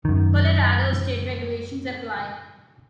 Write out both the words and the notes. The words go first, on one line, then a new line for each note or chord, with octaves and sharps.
Colorado state regulations apply.
F#2 D#3